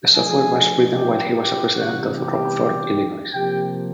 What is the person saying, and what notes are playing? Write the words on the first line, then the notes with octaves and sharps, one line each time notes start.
The software was written while he was a resident of Rockford, Illinois.
F3 A3 D4 F4 G#4 G#5
G4 G5
G4 G5
C3 E3 G3 B3 F#4 F#5
G4 G5
C3 F3 A#3 G4 G5